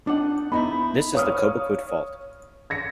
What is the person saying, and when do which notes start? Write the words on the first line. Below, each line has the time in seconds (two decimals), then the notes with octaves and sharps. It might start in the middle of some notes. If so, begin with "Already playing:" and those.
This is the Cobequid Fault.
0.07 D4 D#4 F#5
0.52 B3 D#4 E4 B5
1.15 C#5 F5 D#6 F6
2.70 G#6 A#6 C#7